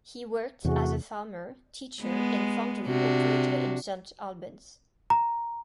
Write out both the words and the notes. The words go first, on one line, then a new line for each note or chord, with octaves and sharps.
He worked as a farmer, teacher, and foundry operator in Saint Albans.
E2 C3 A3 F#4 G#4
G#3 B3
C3 D4 F#4
A#5